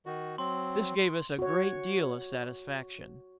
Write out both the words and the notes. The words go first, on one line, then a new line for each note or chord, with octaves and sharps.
This gave us a great deal of satisfaction.
D#3 F#4
F#3 C4 C6
F#4 C#5